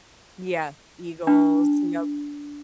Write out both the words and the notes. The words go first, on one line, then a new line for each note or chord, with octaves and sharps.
Yeah, Eagles, yup.
D4